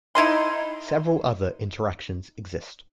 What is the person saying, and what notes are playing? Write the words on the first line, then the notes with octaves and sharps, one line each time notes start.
Several other interactions exist.
D#4 E4 D#5 C6